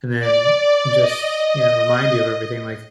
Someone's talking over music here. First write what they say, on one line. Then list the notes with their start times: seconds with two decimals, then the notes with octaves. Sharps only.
and then just, you know, remind you of everything. Like,
0.19 D5
0.99 D#5